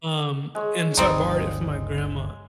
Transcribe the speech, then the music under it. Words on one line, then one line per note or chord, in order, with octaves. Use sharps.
um, and so, I borrowed it from my grandma,
G#3 C#5
G1 D2 G3 C4 D#4